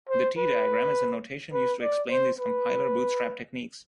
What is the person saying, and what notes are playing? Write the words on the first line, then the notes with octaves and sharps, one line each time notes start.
The T-diagram is a notation used to explain these compiler bootstrap techniques.
C5
B4
B4
D5
C5
B4